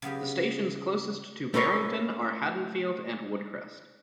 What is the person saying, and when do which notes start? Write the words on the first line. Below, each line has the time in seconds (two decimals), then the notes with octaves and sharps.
The stations closest to Barrington are Haddonfield and Woodcrest.
0.02 C#3 F#3 B3 G4
1.54 A3 C#4 A#4 B4 C#5